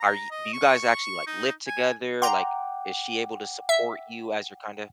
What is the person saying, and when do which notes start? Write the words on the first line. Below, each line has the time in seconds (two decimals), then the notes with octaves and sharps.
are y do you guys actually, like, live together? Like, is she able to support you as your kinda
0.01 A#5
0.31 D#5
0.53 C#6
1.27 D#4
1.67 G#5
2.22 F#5 G5 A#5 C6 D6
3.69 E5